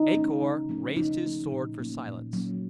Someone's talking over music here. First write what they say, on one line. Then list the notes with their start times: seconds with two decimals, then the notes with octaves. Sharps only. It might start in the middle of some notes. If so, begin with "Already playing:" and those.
A-Kor raised his sword for silence.
Already playing: D#4
0.14 A3 C#4
0.41 C#3
0.69 F3 A3 C#4
0.96 C#3 D#4
1.23 F3 A3 C#4
1.51 A#2
1.78 F#3 A#3 C#4
2.06 A#2
2.33 F#3 A#3 C#4